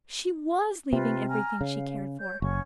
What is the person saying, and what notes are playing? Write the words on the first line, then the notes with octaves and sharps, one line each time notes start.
She WAS leaving everything she cared for.
C3 F4 B4
G#5 A#5 F6
C#3 F5
C#5 G6
F#1 C#4 F#5 C#6